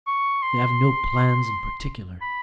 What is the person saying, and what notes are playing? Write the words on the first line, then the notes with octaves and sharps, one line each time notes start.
They have no plans in particular....
C#6
C6
B5